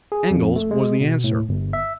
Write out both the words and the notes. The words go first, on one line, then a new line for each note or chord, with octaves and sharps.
"Angles," was the answer.
G#4
F2
A3
G#3
B2
A2
G1
E5